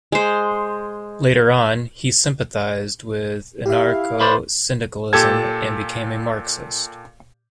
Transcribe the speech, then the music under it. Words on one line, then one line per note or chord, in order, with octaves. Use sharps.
Later on, he sympathised with Anarcho-Syndicalism and became a Marxist.
G#3 C5
E4 G4 E5 F5
B4 C5 D5
A#2 G4 A4 A5 G#6